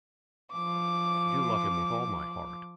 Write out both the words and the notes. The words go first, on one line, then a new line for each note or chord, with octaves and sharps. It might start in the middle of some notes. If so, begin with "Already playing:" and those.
I do love him with all my heart.
F3 D6